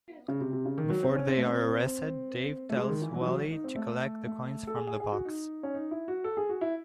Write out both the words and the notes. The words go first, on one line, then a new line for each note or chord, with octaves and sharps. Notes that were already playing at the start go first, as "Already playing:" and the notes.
Before they are arrested, Dave tells Wally to collect the coins from the box.
C#3
C3
C3
C#3
D#3
F#3
C4
C#4
C4
A3
C4
A3
G#3
D#3
E3
F#3
E3
F#3
D#4
C4
A3
A3
A4
G#4
G#4
G#4
F#4
D#4
C#4
D#4
E4
F#4
A4
G#4
F#4
E4